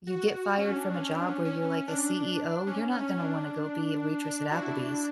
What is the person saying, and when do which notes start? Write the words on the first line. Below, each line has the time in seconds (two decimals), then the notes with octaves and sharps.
you get fired from a job where you're, like, a CEO, you're not gonna wanna go be a waitress at Applebee's,
0.07 F#4
0.58 C#4
0.76 D4
0.94 C#4
1.10 D4
1.28 C#4
1.45 C#4
1.62 C#4
1.88 D4
2.15 D4
2.67 C#4
2.91 C#4
3.19 D4
4.22 D4
4.51 F#4
4.62 E4
4.74 D4